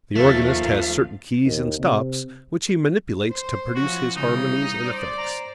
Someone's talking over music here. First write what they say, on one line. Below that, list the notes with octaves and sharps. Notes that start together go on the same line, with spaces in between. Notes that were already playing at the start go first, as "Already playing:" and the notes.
The organist has certain keys and stops which he manipulates to produce his harmonies and effects.
D#2 F3 A3 F5
D#2
C3
C5
F3 C#4 F#4
C#3 E3 G3 D#4
C5 D5
A#5